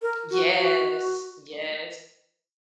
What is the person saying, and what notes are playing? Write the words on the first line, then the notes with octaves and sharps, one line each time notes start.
Yes, yes.
A#4
F#4
F#4